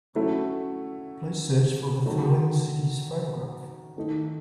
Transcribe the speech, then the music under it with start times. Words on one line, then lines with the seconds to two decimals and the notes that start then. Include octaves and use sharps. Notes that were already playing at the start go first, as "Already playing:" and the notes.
Please search for the Thrilling Cities photograph.
0.15 F#3 A3 C#4 E4
2.06 D#3 F#3 A3
3.96 D#3 A3 D#4